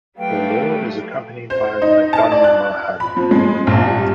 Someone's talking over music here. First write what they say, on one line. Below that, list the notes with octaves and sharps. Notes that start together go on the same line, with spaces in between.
The Lord is accompanied by Madanmohan.
F#3 G3 A3 B4 F5 G5
C5
D#4
A5
D5
F#6
B5
F3
G#3
A#1
G3